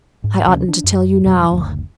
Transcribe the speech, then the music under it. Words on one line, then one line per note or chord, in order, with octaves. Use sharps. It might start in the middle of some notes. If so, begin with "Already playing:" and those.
I oughtn't to tell you now.
G#2
D2 C3 F3 C#4
D4
F#2
F2 B2 F#3 G3
F#1 D2